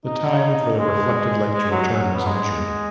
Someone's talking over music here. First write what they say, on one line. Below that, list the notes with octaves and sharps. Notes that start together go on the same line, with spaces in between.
The time for the reflected light to return is measured.
D#4
G#3
G#3
F#3
F#3
F#3
B3
G#3